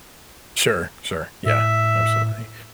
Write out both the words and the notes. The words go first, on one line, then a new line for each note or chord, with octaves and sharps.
Sure, sure, yeah, absolutely.
A2 E5